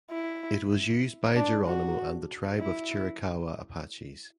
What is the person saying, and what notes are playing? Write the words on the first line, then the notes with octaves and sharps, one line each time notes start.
It was used by Geronimo and the tribe of Chiricahua Apaches.
E4
D4
F#4
E4